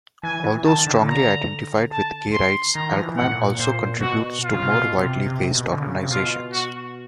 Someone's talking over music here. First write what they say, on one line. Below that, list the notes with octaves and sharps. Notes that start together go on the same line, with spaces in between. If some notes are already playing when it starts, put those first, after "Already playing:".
Although strongly identified with gay rights, Altman also contributes to more widely based organisations.
E3 G#5
E3
D#3 A5
D3
C#3
D3
A#5
A5
C6
D#3 A#5
F3
E3
A2 F#5
A#2
A#2 C5
B2 F#4
F4
C#3
C3
B2
C3
C3
B2
D3
C#3
C3
B2 F4
F#4